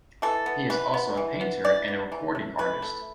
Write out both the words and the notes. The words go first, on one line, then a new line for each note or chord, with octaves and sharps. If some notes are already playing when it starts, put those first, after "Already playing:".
He is also a painter and a recording artist.
E3 A4
B3
E3 B4
B3
E3
B3
E3 D5
B3
E3
A3
E3 B4
A3